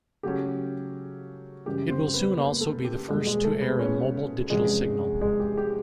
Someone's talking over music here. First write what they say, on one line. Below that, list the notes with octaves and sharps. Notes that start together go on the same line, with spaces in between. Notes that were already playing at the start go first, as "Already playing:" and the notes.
It will soon also be the first to air a mobile digital signal.
C#3 F#3 A3 C#4 G4
F#2 C#3 E3 G3 G4
C4 C5
B3 B4
A#3 A#4
A3 A4
G4
E2 B2 G3 G#3 A#3 G#4
G#3 G#4
A3 A4
B3 B4
C#4 C#5
E2 C3 F3 G#3 C#4 G#4
G#3 G#4
G4
G4